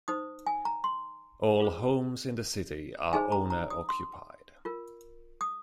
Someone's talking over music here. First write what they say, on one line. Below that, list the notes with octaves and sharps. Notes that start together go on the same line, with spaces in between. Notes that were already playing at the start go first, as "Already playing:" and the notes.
All homes in the city are owner occupied.
D#4 C5 D#6
G#5
A#5
C6
F4 G#4 C5
D#4 G#4 C5 G#5
A#5
A#5
D#6
C6
F4 A#4
D#6